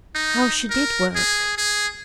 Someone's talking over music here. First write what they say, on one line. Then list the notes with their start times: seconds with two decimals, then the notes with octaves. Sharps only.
How she did work!
0.15 D#4
0.70 A#4
1.16 G#4
1.58 G#4